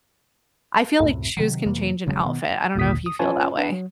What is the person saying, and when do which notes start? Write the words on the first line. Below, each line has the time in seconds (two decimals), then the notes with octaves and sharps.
I feel like shoes can change an outfit, I don't know if you feel that way.
1.00 C#2 F#2 A2 C3
1.37 C3 D#3 F#3
1.66 F2 C3 E3 A#3
2.07 E1 C#3 F#3 G#3
2.25 B2 D#3 B3
2.75 G#1 D#2 A#2 D3 D#6 B6
3.06 D#6
3.19 C#4 F4 B4 C#5 G#5 A5
3.57 D4 B4
3.72 F#3